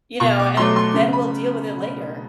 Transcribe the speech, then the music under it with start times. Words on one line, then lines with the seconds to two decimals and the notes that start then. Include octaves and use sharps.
you know, and then we'll deal with it later.
0.20 B2 C#6
0.39 D6
0.57 F#3 A3 C6
0.76 C6
0.94 C#3
1.13 B5